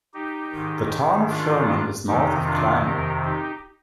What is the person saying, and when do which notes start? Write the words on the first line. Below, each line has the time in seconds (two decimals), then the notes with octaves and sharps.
The town of Sherman is north of Clymer.
0.14 D#4 G4
0.52 G#2 D#3
1.30 D4 F4
2.08 F2 C3 D#3 D#4 G4
2.46 D4 F4
2.85 G4 A#4
3.24 D#4 G4